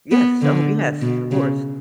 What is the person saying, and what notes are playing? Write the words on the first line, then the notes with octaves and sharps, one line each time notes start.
Yes. Oh, yes. Of course.
B3
D3
B2
C#3